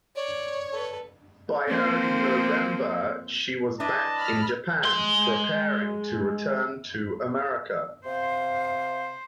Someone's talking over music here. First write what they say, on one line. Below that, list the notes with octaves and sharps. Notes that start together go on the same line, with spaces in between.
By early November, she was back in Japan, preparing to return to America.
C#5 D5
A4 B4
F3 A#3 C4
D4 E4 B4 D#5 A5
B5 F6
G#3 C6
C3 C5 F5